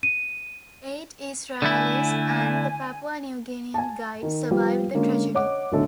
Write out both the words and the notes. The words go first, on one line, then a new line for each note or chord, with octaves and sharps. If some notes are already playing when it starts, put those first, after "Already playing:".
Eight Israelis and the Papua New Guinean guide survived the tragedy.
D#7
D3 A3 E4 G#5
G#5 A5
D#3
F3 G3 B3 F4 G4
D3 G#3 A#3 C#4
C#5 D#5 F#5 D6
B1 A2 D3 A4 C#5